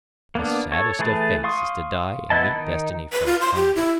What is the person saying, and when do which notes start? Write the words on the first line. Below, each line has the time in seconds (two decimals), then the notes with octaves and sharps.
'The saddest of fates is to die and meet destiny from hunger?'
0.35 A#3 B3 D4
0.72 A4 C#5
0.99 E3 A3 G#4 B4 A5
1.44 F5 C6 C#6 D#6
2.30 B3 E4 D#5 A5
2.51 D#3 D#4
3.13 B4
3.26 F4
3.41 C6
3.56 G4
3.75 E4